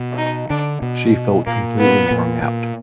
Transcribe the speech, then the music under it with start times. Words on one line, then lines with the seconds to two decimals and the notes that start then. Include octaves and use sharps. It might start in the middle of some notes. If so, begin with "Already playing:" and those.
She felt completely wrung out.
Already playing: B2
0.18 D#4
0.50 D3 D4
0.82 B2
1.46 A#2 A#3
1.79 B3
2.11 A#2
2.42 A#2